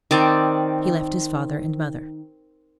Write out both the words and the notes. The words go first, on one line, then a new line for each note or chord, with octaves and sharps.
He left his father and mother.
D#3 C4 D5